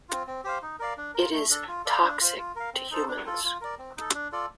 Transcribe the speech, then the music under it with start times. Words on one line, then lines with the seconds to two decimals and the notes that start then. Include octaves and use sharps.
It is toxic to humans.
0.09 C4 F4
0.27 C4
0.44 G4 C5 F5
0.62 D#4
0.79 A#4 D5 F5
0.97 D4
1.14 F4 A#4
1.32 A3
1.50 D4 A4
1.68 F4
1.85 A4 D5 F5
2.03 D4
2.20 F4 C5
2.38 F4
2.56 A#4 F5
2.74 C4
2.91 D#4 A4 C5
3.08 D4
3.26 F4 A4
3.44 F4
3.61 A#4 D5
3.79 C4
3.97 D#4 A4
4.14 D4
4.32 F4 A4 D5